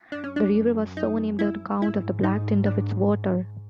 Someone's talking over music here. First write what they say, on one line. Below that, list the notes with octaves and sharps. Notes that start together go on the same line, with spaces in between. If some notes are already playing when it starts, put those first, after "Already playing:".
The river was so named on account of the black tint of its water.
F#2 D4
C#4
D4
D#4
E4
G#2 E4
D#4
D4